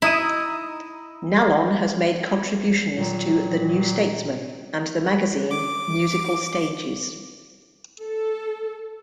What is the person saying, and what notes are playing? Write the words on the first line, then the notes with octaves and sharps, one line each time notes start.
Nallon has made contributions to "The New Statesman" and the magazine "Musical Stages".
D#4 E4 D#6 D#7
A#2 D#3 F#3
D6
A4